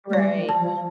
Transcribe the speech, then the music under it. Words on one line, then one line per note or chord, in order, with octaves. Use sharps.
Right, ye
A3
G3 D5
F3
A5
F3